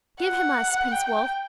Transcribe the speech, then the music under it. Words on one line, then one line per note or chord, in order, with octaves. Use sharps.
'Give him us, Prince Wulf!
F#5
G5